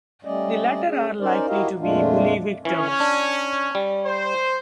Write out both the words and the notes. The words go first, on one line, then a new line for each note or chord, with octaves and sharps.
The latter are likely to be bully-victims.
G3 A3 C#4 D5 D#5
C#4 G#4
C#4 D#4 A#4 C5 D5
E4 F#4 G4 A#4 D#5 F5
F2 A#2 G#3 A3 D4 F4
E3 C#4
D4
G3
C5